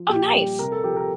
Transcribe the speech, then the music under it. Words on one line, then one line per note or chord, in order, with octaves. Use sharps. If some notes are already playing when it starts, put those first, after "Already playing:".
Oh, nice.
Already playing: F3
A#2 G4
G3
C3 A#4
A4
F3 G4
A#4